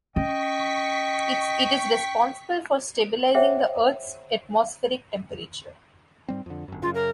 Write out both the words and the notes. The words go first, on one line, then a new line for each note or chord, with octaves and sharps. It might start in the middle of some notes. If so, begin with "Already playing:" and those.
It is responsible for stabilizing the Earth's atmospheric temperature.
C#4 D#5 G5 C#6 B6
G#4 C5 C#5 E5 F#5 G5
G#2 G3 C4
F2 D3
G1 F#2
F#2 C#3 F4
A#4